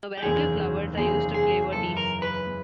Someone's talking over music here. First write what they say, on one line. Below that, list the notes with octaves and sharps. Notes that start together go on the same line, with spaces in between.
A variety of flowers are used to flavour teas.
G4
F#1 E2 C3 D#3 G#3 G#4
F#1 E2 C3 D#3 G#3 G#4
G#4
F#2 C#3 E3 G#3 A4
A#4
B4
G#3